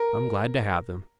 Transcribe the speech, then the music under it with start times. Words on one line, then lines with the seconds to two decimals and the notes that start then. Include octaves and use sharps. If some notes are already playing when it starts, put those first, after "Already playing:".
I'm glad to have them.
Already playing: A#4